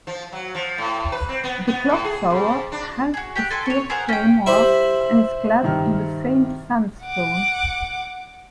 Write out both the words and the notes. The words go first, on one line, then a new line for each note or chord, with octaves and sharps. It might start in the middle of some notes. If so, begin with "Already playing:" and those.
The clock tower has a steel framework, and is clad in the same sandstone.
F3
F#3
F3
A2
B4
C4
B3
B3
A2
G#4
F2
D4
F#4 G#4
G4 G5 G#5 F#6
A4 G#5 C6
C#5 C#6
G#4 A#4 C5 F#5
C#4 G5
G3 E4 G4 C5 B5
E6
G2 D#3 F6
F#5 D6